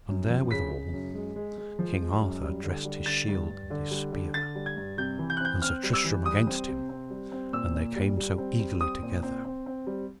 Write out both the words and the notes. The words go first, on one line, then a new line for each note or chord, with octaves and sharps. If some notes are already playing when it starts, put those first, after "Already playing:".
And there withal King Arthur dressed his shield and his spear, and Sir Tristram against him, and they came so eagerly together.
F#2
F3
C#3 B6
C#3
F#2
G#3
G#3
G#3
F3
G#3
F#2
G3
D3
G3
D3 A6
G2
G2
D3
G3
D3
D3 A6
G3
G#6
G2
C3 G6
E3
G6
F#6
C4 G6
C4 F6
G3
E6
E3
G3 D#6
C4
C3
C4
G3
C4
A#2 E6
A#2
G3
G3
C4
G3
C4 D#6
A#2
C4
C4
C4
G3